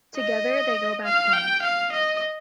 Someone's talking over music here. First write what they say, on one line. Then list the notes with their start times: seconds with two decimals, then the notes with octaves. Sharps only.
Together, they go back home.
0.16 D#5
1.04 F5
1.33 G5
1.62 F5
1.92 D#5